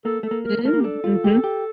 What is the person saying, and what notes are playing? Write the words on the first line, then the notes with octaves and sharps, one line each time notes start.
Mm, mhm.
A#3 A4
A3 A4
A#3
A#4
A#3
A3 A#4
A#3
G4
D4 A4
F4
G4
G4